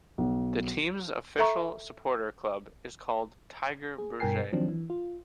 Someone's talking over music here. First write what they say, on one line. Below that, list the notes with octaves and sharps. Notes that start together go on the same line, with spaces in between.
The team's official supporter club is called "Tigerberget".
B1
A4 E5 A#5 C#6
G#4
G2 B2 A#4 G5 G#5 C7
D#3 F3 F#3 C4 D4
E3
F4